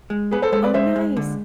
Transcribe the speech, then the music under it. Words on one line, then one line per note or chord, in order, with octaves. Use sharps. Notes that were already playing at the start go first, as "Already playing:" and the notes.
Oh, nice.
G#3
B3 G#4 B4
A4 C5
G#3 A4 C5
B4 D5
G#3 C5 E5
G#3
D3